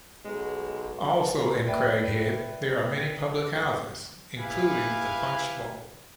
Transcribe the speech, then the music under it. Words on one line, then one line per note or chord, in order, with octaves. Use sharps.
Also in Craghead there are many public houses including the Punch Bowl.
B1 G#3
B4 D5 E5 G5
E4 G4 B4 F5 G#5